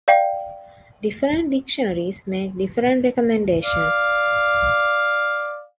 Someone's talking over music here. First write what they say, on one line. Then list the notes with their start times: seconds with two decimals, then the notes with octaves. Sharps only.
Different dictionaries make different recommendations.
0.08 D5 F5 G5
3.63 D5 F5